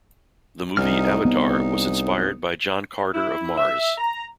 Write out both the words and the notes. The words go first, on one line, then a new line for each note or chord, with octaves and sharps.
The movie "Avatar" was inspired by John Carter of Mars.
C2 D#4 F6
C2 B3
E4
E5
A#5